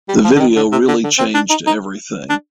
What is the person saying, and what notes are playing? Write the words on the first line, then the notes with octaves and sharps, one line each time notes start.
The video really changed everything.
G3
F3
D3
D#3
D3
C3
D3
D3
C4
D4
D#4
D#4
D4